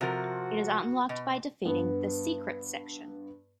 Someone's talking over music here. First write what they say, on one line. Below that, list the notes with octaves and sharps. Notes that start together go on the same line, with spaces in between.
It is unlocked by defeating the 'Secrets' section.
C3 F3 F#4 A#4
B2
G2 B3